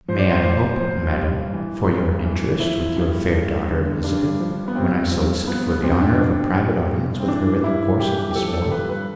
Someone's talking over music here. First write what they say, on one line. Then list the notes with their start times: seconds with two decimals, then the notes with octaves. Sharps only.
"May I hope, madam, for your interest with your fair daughter Elizabeth, when I solicit for the honour of a private audience with her in the course of this morning?"
0.08 F3 C5
0.18 D5
0.29 C5
0.44 A2 C5
0.80 F3 C5
1.16 G2
1.52 E3
1.88 G2
2.24 E3
2.60 F3 E4
2.96 G2
3.32 G2
3.68 D3
4.04 G2 D4
4.40 F3
4.68 B3
4.75 G2 C4
5.12 F3
5.47 F3 B3
5.66 B3
5.83 F2 C4
6.01 D4
6.20 F2
6.56 C3
6.91 G2
7.20 C4
7.27 E3 D4
7.63 G2 E4
7.99 E3 G4
8.31 G4
8.36 F3 A4
8.53 A4
8.71 G2 B4
8.89 B4